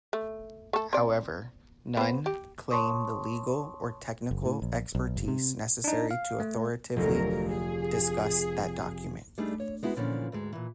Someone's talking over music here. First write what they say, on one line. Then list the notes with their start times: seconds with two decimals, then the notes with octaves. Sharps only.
However, none claim the legal or technical expertise necessary to authoritatively discuss that document.
0.13 A3
0.73 A3 A4
0.93 C4 D5
1.97 B3 C5
2.26 G4
2.71 C#5 A5 C6 C#6 D#6
4.31 F#1
4.45 A2
4.62 A#1
4.95 B1
5.16 F#1
5.28 C3
5.84 D4 D#4
6.11 F5
6.40 A3
6.96 F1 D2 F#3 A#4
7.49 G#4
9.38 G3 A3 D4 D#4 G#4
9.60 C#5
9.83 G#3 B3 E4 F#4
9.96 A#2 D3 E3 F3 C#4
10.32 D2 G#2 G#3
10.53 A#2 E3